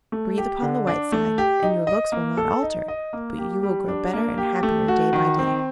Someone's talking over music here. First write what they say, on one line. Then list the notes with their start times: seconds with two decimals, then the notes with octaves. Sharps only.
Breathe upon the white side and your looks will not alter, but you will grow better and happier day by day.
0.12 A3
0.38 G4
0.62 D3
0.87 D4
1.12 A3
1.38 G4
1.63 D#4
1.87 D#5
2.12 A#3
2.37 A4
2.63 D#4
2.88 D#5
3.13 A#3
3.38 G4
3.63 G3
3.88 D4
4.13 A#3
4.38 G4
4.63 A3
4.88 F#4
5.13 D#3
5.39 C4